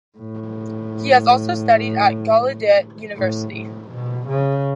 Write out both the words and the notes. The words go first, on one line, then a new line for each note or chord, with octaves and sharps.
He has also studied at Gallaudet University.
A2
A2
A2
B2
C#3